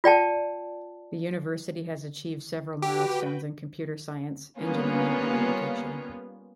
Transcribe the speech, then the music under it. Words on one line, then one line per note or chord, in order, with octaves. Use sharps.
The university has achieved several milestones in computer science, engineering and architecture.
F4 D5 G5 A5
F#4 G4 B4 G5
G3 A#3 B3 C#4 F4